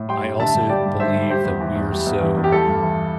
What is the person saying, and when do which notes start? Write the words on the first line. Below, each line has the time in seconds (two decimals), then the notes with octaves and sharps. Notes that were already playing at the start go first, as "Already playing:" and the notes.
I also believe that we are so
Already playing: A2
0.09 G3 G5 C6
0.24 G2
0.39 D3 E5 A5
0.54 G2
0.69 G3 D5 G5
0.86 G2
1.00 D3 C5 E5
1.15 G2
1.30 G3 G4 C5
1.45 E2
1.60 E3
1.76 E2
1.92 G3
2.06 E2
2.22 E3
2.37 E2
2.44 G4
2.52 G3 A4
2.68 G2
2.82 E3